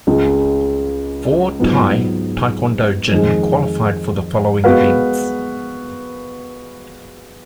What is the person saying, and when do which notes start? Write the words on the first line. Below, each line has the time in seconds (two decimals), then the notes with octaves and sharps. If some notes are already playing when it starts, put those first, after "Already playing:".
Four Thai taekwondo jin qualified for the following events.
0.07 C#2 C#3 G#3
1.59 G#2 F#3 B3 F4
3.12 F2 D#3 G#3
4.64 G#3 B3 F#4 B4 F5